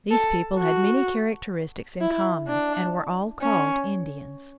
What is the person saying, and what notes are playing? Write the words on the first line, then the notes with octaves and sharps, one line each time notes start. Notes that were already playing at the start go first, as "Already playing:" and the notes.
These people had many characteristics in common and were all called Indians.
A4
F#4
E4
D4
C#4